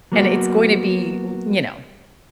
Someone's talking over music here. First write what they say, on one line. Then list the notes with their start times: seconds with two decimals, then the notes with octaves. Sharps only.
and it's going to be u you know,
0.12 F#3 A#3 B3 F#4